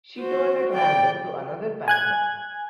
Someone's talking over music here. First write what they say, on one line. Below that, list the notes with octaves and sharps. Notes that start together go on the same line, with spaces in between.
She turned at random to another paragraph.
F#4 C5
D5 G5
G#5 F#6 G#6